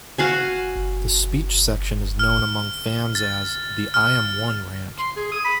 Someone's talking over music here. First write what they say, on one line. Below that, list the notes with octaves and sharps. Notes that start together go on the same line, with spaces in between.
The speech section is known among fans as "the I Am One rant".
F#4 F5 G#5
F6
A6
F6
C6
G#4
D#6
B5